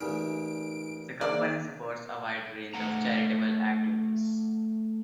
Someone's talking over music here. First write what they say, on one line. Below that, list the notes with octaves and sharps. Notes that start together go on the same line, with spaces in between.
The Company supports a wide range of charitable activities.
A1 A#2 C#3 D#4 D7
A#3 G#4 C5 D5 E5 F#5
A3 F#5 A#5